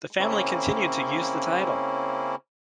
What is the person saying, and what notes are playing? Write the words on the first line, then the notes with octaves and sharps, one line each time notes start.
The family continued to use the title.
C#3 A#3 C4 C#4 E4